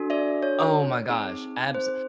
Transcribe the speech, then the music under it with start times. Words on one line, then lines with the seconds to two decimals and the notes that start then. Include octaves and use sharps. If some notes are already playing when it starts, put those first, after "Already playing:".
Oh, my gosh, abs
Already playing: D4 F#4 A4
0.10 D5 E5
0.42 C#5
1.09 C4 D#4 G#4
1.75 C5